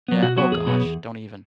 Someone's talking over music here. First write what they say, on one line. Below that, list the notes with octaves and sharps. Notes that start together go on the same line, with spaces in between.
yeah, oh gosh, don't even.
F#3 B3
B2 F#4
F#3 B3 F#4
E2 G#4
B2 F#3 B3
E2